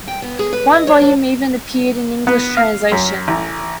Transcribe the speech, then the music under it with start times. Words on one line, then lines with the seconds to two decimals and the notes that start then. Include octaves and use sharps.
One volume even appeared in English translation.
0.08 G5
0.22 B3
0.39 G#4
0.53 B4
0.73 D#5
0.87 C#5
1.01 D4
2.27 B3
2.57 F5
2.92 F#2
3.28 A1